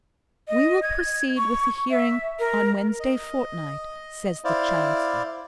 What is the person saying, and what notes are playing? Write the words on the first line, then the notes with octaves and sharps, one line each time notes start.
"We will proceed with the hearing on Wednesday fortnight," says the Chancellor.
D#5
G#6
C#6
E5
A#4
D#5
E4 C5 D5 F5